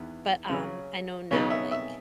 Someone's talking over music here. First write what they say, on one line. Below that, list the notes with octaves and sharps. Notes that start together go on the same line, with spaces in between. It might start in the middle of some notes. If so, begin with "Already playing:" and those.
but, um, I know now, like
Already playing: E2 D#3 B3
C#3 F#3 C#4
C#3 F#3 B3 D#4 C#5
E5
E5